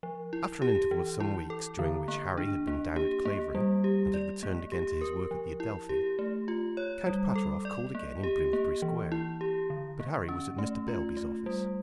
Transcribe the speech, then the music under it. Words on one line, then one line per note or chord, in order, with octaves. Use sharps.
After an interval of some weeks, during which Harry had been down at Clavering and had returned again to his work at the Adelphi, Count Pateroff called again in Bloomsbury Square; but Harry was at Mr. Beilby's office.
F3
E4
G4
E3
E4
A4
D3
A#3
D4
A#3
G4
A#3
G3
G4
D5
A#3
G4
A#4
F3
E4
G4
A3
F4
C#5
G3
A4
D5
A#3
G4
A#3
E3
E4
G4
D3
A#3
C#4
A3
F4
A3
G3